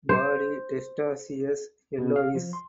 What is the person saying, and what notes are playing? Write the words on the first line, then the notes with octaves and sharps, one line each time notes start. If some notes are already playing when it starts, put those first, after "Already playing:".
Body testaceous yellowish.
C5
B2
F5
F3
C6